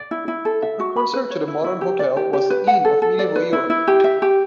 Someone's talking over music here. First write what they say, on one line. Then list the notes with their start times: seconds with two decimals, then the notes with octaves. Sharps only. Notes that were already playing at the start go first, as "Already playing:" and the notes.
The precursor to the modern hotel was the inn of medieval Europe.
Already playing: D5
0.11 E4
0.28 E4
0.45 A4
0.62 E5
0.80 F#4
0.96 B5
1.14 B4
1.30 C#5
1.48 E4
1.64 E4
1.81 G4
1.99 D5
2.17 G4
2.33 G4
2.50 B4
2.67 F#5
2.85 A4
3.02 A4
3.19 D5
3.36 B4
3.53 E4
3.70 E4
3.87 G4
4.04 E5
4.22 G4